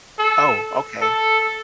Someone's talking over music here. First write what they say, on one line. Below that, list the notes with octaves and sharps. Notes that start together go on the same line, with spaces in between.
Oh, okay.
A4
A4